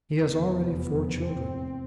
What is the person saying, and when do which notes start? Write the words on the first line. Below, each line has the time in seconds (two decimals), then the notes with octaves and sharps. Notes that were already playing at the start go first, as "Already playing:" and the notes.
He has already four children.
0.13 F1 E2 C3 B3
1.23 C4